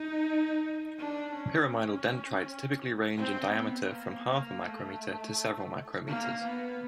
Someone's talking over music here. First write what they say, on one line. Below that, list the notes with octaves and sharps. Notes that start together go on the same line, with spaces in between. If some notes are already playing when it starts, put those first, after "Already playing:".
Pyramidal dendrites typically range in diameter from half a micrometer to several micrometers.
Already playing: D#4
D4
C#4
C4
B3
A#3
A#3
A3
A#3
B3